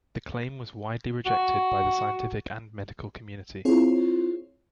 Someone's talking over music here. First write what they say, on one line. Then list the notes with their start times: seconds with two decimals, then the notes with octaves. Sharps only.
The claim was widely rejected by the scientific and medical community.
1.26 F#4
3.65 C4 E4 F4 G#4 C5 C#5